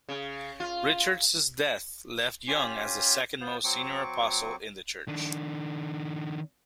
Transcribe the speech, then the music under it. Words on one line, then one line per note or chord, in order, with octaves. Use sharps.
Richards's death left Young as the second-most senior apostle in the church.
C#3
F4
C#4 F4 G4 G#5
B3 F4 C5
F#3 C4 C#6 D6
D#3 D4